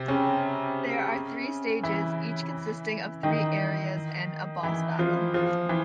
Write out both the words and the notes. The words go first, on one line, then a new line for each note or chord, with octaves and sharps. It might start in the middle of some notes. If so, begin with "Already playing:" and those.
There are three stages, each consisting of three areas and a boss battle.
Already playing: C3 C4
C#3 C#4
E3 E4
D#3 D#4
E3 E4
F3 F4
F3 F4
E3